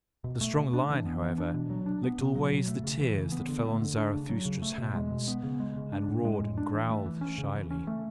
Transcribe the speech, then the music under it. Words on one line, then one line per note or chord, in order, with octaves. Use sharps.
The strong lion, however, licked always the tears that fell on Zarathustra's hands, and roared and growled shyly.
B2
A3
B2
D4
E3
B3
E3
D4
B2
F#3
D4
B3
B2
F#3
B2
A3
C#3
E3
C#3
B3
D3
A3
D3
D4
C#3
F#3
C#3
A3
B2
G#3
B2
B3
C#3
G#3
C#3
D4
A2
G#3
A2
D4
E3
A3
E3
C#4
C#3
E3
C#4
A3